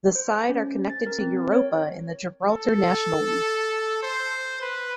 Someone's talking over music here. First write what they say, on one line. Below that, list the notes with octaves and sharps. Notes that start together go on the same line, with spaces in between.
The side are connected to Europa in the Gibraltar National League.
C5
C#4
A6
A#4
C4
C#5
A4
C5
B4